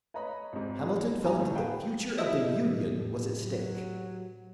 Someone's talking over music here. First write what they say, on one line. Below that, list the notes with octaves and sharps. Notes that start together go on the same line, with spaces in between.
Hamilton felt that the future of the Union was at stake.
B4 C#5 D#5 A#5 B5
G#1 G#2
D#4 G#4 B4
G2 B2 D#4 G#5 A#5 D#6
A2 D3 A3
F#4 G#4 A4 B4 F5 G5
F#2 A2 E4 G4 D#5 E5
F#3